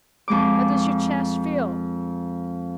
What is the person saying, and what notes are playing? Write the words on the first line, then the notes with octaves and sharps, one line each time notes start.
"How does your chest feel?"
F2 G#3 D6